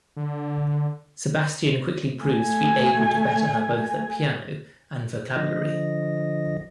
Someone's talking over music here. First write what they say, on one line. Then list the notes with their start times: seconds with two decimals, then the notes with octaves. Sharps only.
Sebastian quickly proves to be able to better her both at piano and vocabulary.
0.17 D3
2.21 A3 G#5
5.36 D3 F3 D#5